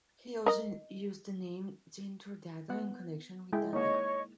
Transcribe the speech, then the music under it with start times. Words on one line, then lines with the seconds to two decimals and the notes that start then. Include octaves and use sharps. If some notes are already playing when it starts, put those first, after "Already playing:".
He also used the name Zentrodada in connection with Dada.
0.46 A#4 D#5
2.69 B3 F#5
3.53 G#3 E4 G5
3.73 A#3 D#4 C#5 D#5 C#6